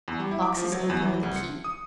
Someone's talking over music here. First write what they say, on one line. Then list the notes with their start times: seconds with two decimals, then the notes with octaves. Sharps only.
Boxes open with a key.
0.08 E2
0.20 G3
0.31 E4
0.42 D6
0.57 F3
0.72 F#3
0.90 E2
1.02 E3
1.23 C2
1.36 C#7
1.64 D#6